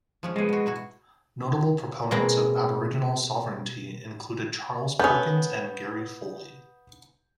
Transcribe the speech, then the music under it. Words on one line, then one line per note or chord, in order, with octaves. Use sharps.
Notable proponents of Aboriginal sovereignty included Charles Perkins and Gary Foley.
F3 G#3 C#4
G#3 B3 G#4 A4
B2 F#4
G#3 E4 F#4
B2 G#3 A#3 C4
A3 B3 C#4 D#6 G6